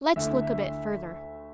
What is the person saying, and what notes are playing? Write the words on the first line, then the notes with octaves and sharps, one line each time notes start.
"Let's look a bit further."
D2 D3 A3 E4 E5